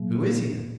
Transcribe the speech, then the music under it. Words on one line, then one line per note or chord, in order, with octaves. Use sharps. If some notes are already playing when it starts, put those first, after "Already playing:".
"Who is he, then?"
Already playing: A#2 F#3 A#3